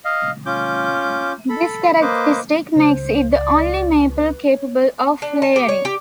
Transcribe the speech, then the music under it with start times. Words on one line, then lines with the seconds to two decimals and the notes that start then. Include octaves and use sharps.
This characteristic makes it the only maple capable of layering.
0.05 D#5 F5
0.46 C#4 F4 D6 G6
1.49 A4 B5
2.01 A#3 B4 C5 D#5 D6
2.76 C#2 C5
3.31 D5
4.07 B4
4.48 C#5
5.22 D4
5.42 A5
5.56 G4
5.69 C#5
5.85 G4